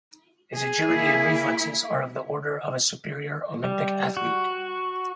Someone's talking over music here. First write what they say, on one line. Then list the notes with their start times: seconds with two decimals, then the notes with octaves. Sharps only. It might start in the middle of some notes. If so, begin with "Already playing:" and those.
His agility and reflexes are of the order of a superior Olympic athlete.
0.55 G#4
0.88 A#3 E4
3.64 G3
4.17 F#4